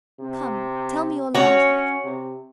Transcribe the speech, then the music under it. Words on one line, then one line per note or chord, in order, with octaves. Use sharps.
"Come, tell me all about it."
C3
C#4 F#4 C#5
C3